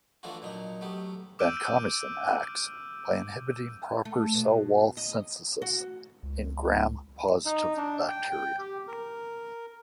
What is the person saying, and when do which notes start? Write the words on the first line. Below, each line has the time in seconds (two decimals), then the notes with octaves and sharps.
Vancomycin acts by inhibiting proper cell wall synthesis in Gram-positive bacteria.
0.23 E3 F3 A3 D4 F4 F#4
0.42 A#2 F#3 D4 D#4
0.81 F#3 A3 B3 G4
1.39 D6 E6 F6 G6 D7 D#7
4.05 A3
4.34 B2
4.97 D#5
5.62 F#4
6.23 C#2
7.46 D#4
7.77 D4
8.08 G5
8.30 G5
8.59 G4
8.88 A#4